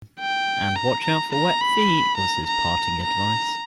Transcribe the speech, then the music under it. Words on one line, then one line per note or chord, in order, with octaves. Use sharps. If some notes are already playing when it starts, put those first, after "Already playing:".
And watch out for wet feet, was his parting advice.
G5
A#5
A#5
A#5
B5
A#5
A#5
A#5